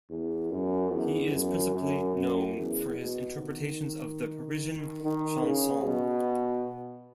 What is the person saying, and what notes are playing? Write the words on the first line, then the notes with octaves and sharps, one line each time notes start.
He is principally known for his interpretations of the Parisian chansons.
E2
F#2
E2
F#2
F#2
F#2
E2
B2
D#3
D#3
C#3
B2